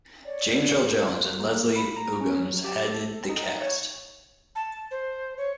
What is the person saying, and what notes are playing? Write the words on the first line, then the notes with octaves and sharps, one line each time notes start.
James Earl Jones and Leslie Uggams headed the cast.
C#5 D5
F4
A#3
B5
A#5
C#4
F#3
G4
A4
D#4
C#5
A5
C5
C#5